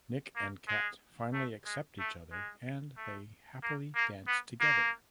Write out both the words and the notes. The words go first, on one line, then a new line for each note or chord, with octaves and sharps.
Nick and Kat finally accept each other and they happily dance together.
A#3
G#3
A3
G#3
A3
G#3
A3
A#3
A#3
B3
A#3